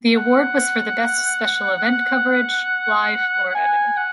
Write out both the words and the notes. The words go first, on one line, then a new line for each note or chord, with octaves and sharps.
The award was for the best special event coverage, live or edited.
F#5
F#5
G#5
F#5